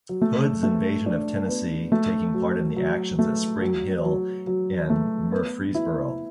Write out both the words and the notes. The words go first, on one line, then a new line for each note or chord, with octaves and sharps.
Hood's invasion of Tennessee, taking part in the actions at Spring Hill and Murfreesboro.
F#3
A3
A3
D4
B3
A3
F#3
F#3
A3
F#3
F#3
F#3
A3
B3
E4